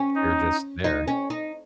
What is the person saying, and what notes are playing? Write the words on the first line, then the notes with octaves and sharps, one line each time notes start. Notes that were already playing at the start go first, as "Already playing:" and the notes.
They're just there.
Already playing: C#4
D#4
D#4
C#4
D#4